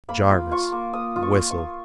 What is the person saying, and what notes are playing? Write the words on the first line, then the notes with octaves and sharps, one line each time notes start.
Jarvis whistled.
A#3 B5
F4
F4 C#6
A#3
A#3 D#6
F4
C#6
F4
C#6
A#3